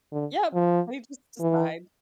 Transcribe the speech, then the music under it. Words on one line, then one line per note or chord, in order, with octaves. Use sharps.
Yep, they just decide.
D3
F3
E3